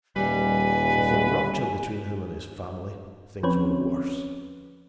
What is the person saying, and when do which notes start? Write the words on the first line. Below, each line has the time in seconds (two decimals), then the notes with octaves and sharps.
With the rupture between him and his family, things were worse.
0.16 D#1 G3 B4 G#5
3.43 F3 C4 C#4 B4 C#5